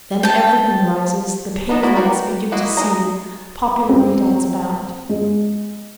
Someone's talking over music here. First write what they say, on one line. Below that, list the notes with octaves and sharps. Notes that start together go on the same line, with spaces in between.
Then everything rises, the pavements begin to seethe, popular redoubts abound.
G5 A5
B3 D4 D#4
E4 F#4 A#4 D5
F#4 A#4 B4 G5
A#3 E4 F#4 B4 D#5
G#3 D#4 A#5
C4
G#3